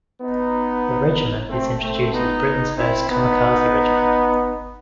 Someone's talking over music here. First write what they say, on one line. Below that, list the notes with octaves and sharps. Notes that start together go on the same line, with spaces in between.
The regiment is introduced as Britain's first "Kamikaze Regiment".
B3 D#4
A3 C4
A3 C4
B3 D#4
C4 E4
B3 D#4